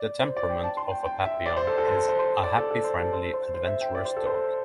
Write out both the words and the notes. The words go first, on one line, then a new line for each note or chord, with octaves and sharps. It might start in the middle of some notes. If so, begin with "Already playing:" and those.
The temperament of a papillon is a happy, friendly, adventurous dog.
Already playing: D5
C5
D5
G5
A5
C6
G5
G5
E5
D5
C5
A4
A4
C5
C5
C5
D5
A4
A4
C5
A4
C5
C5
C5
E5
G5
D5
C5
A4
C5